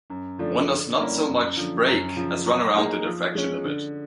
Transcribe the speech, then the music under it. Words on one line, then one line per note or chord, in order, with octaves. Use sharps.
One does not so much "break" as "run around" the diffraction limit.
F#2
D3 F3 A3 D4
D3
G3 A#3 C#4 E4
F#2
D3 F3
F#2
C#3 F3
F#3
A#3 D#4 G#4
F3
G#3 C#4
D3